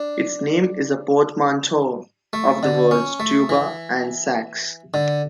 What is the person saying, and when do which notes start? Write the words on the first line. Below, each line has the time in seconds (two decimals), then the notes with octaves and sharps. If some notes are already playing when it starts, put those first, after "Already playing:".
Its name is a portmanteau of the words "tuba" and "sax".
Already playing: D4
2.33 A3
2.63 D3
2.91 C#4
3.20 A3
3.49 E3
4.94 D3